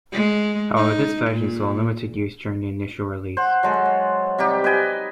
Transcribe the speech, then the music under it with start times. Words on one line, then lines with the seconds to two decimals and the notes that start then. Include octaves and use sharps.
However, this version saw limited use during the initial release.
0.12 G#3
0.77 D#4
1.30 A#2
3.37 C5 F#5
3.63 F#3 G#3 A4
4.38 C3 G3 D#4 G4
4.64 B4 D#5 G5 G#5